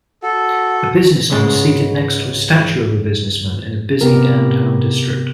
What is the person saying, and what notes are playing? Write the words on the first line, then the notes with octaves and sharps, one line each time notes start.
A businessman seated next to a statue of a businessman in a busy downtown district.
F#4 A4
C#2 G#2 C#3 G#3 A5
C3 B3 G4 A#4